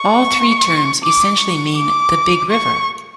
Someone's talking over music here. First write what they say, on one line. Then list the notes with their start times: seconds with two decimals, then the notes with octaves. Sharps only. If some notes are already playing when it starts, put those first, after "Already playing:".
All three terms essentially mean "the big river".
Already playing: C#6
1.03 D6
1.40 C#6
1.76 D6
2.51 C#6